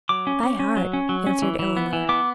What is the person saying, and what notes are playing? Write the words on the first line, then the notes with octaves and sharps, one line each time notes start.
"By heart," answered Eleanor.
F#3 D6
C#4
C#4
C#4
F#3
C#4
F#3
C#4
E3
E3
B3
E3
B3 D6